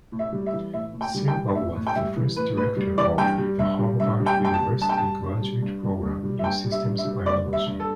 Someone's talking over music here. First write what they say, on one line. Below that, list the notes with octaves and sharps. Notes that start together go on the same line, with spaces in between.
Silver was the first Director of the Harvard University Graduate Program in Systems Biology.
A2
E5
G3
E5
E3
A2 E5
A2
G5
G3
G5
E3
A2 E5
A2
G5
G3 E5
E3
A2 B4
A2 B4
G3
E3 D5
G2 G5
G3
G2 E5
G3
G2 E5
G3
G5
G2 G5
A5
G3
G2 A5
G5
G3 A5
G2
G3
G2
G3
G2
G3
E5
G2 G5
G3
E5
G2
E5
G3
G2 D5
G3
E5
G2
A4